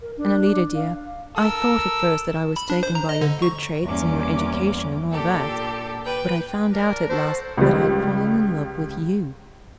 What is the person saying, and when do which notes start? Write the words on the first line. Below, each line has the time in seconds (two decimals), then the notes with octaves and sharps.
And, Alida, dear, I thought at first that I was taken by your good traits and your education and all that, but I found out at last that I had fallen in love with YOU.
0.01 A#4
0.17 D4
0.75 F5
1.36 A4 A#4 E6
2.56 B5
2.70 D4
2.83 C5
2.95 A#5
3.09 D#5
3.21 D3
3.42 C#6
3.84 E2 G2 A#3 C#4 D6
5.11 A#2 D4 G4 A4
6.05 B4 G5
6.73 D4 A#4
7.09 F#4 A4 C5 A5
7.57 C#2 G3